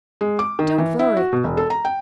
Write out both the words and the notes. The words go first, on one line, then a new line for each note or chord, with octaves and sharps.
Don't worry!
G#3
D6
D#3
E3
E4
F#4
B2
E1
A4
A#5
G5